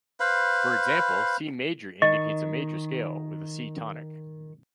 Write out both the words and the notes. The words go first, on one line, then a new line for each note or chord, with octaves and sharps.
For example, C major indicates a major scale with a C tonic.
B4 C5 F5 B5
D#3 D#5 C#6